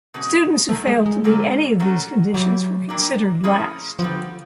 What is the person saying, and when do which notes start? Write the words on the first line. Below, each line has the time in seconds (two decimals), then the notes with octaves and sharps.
Students who failed to meet any of these conditions were considered last.
0.14 E2 B2 G#3 C#4 F#4
0.69 F#2 D#3 F#3 A3
0.88 G#3
1.06 G#3
1.24 F#2 D3 F#3 A#3 C#4
1.80 A#2 F#3 A3 C#4 F#4
2.34 G#2 E3 F#3 G3
2.89 A#2 G3 A#3 D4
3.44 F3 A#3 C#4 E4 G#4
3.99 F3 B3
4.02 D3 G3